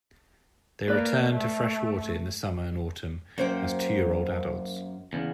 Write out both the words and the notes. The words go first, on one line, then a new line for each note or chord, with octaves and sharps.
They return to freshwater in the summer or autumn as two-year-old adults.
A#3 B4 D5
A3
F#2 A#3 C5 G5
E2 C#3